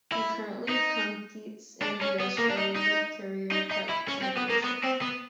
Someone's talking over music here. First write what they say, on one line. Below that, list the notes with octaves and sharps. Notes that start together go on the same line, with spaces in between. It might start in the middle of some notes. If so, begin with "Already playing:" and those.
He currently competes in the Australian Carrera Cup Championship.
E4
D#4
D4
C#4
B3
A#3
D4
D#4
D#4
D#4
D#4
E4
C#4
C4
B3
A#3
B3
C4
B3